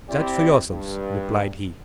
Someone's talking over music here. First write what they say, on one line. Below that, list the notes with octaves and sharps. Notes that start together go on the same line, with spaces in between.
"Judge for yourself," replied he.
C4 E4 G4 D5
G2